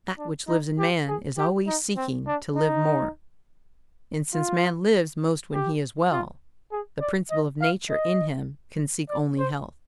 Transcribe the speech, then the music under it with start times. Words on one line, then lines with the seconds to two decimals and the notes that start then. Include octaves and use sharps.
That which lives in man is always seeking to live more; and since man lives most when he is well, the Principle of Nature in him can seek only health.
0.18 D4
0.48 D#4
0.78 G4
1.08 G#4
1.38 G4
1.67 D#4
1.97 C4
2.27 D4
2.56 D#4
4.33 F4
5.53 G4
6.12 F4
6.72 G#4
7.00 D5
7.31 D#5
7.61 F5
7.90 D#5
9.09 D5
9.38 C5